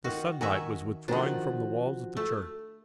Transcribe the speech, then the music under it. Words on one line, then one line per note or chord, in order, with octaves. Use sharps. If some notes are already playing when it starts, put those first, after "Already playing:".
The sunlight was withdrawing from the walls of the church.
D#3 F4 F#4
D#3 F#4 E5 G#5
D#3 F3 D4 F#4
A3